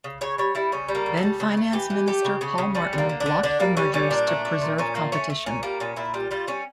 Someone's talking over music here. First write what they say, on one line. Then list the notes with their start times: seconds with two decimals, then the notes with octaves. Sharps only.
Then Finance Minister Paul Martin blocked the mergers to preserve competition.
0.04 C#3
0.21 C#3 C#5
0.38 G3 C#5
0.55 G3 E4
0.72 C#3 C#4
0.88 G3
0.95 A#3
1.06 C#3
1.17 A4
1.23 G3
1.40 C#3 A4
1.57 A3
1.73 E3 G4
1.90 E3
2.08 A3 G4
2.24 C#3
2.41 C#3 C#4
2.58 C#3
2.75 G3 C#4
2.93 D3
2.98 A#3
3.09 D3
3.20 D4
3.26 D3
3.43 D3 D4
3.60 G3 A#3
3.77 G3 C#4
3.94 G3 C#4
4.10 A#2 D4
4.27 A3
4.45 A3
4.61 A#2
4.78 A#2 C#4
4.95 A3 A#3
5.12 A3 C#4
5.30 A3
5.46 A#2 C#4
5.63 G3 A#3
5.80 A#2 C#4
5.96 A#2 E4
6.14 G3 F4
6.31 G3 F4
6.47 G3 C#4